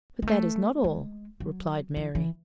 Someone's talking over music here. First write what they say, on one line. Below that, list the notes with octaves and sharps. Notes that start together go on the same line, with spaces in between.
"But that is not all," replied Mary.
G#3
A3
G#3
F#3
E3
E3